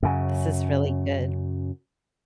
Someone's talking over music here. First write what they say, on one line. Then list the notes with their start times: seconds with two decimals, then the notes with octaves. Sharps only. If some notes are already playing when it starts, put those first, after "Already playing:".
This is really good.
0.03 F#2 C#3